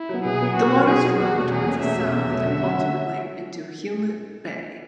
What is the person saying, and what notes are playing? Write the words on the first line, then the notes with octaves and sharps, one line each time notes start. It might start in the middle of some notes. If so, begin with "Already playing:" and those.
The waters flow towards the south and ultimately into Hewlett Bay.
Already playing: E4
F#3 B3
B2 G#4
F#3 B3
B2 F#4
F#3 B3
B2 G#4
F#3 B3
E2 F#4
B2 A3 C#4
E2 G#4
B2 A3 C#4
E2 E5
B2 A3 C#4
E2 E5
B2 A3 C#4
D3
F#3 C#4 F#4
D3
F#4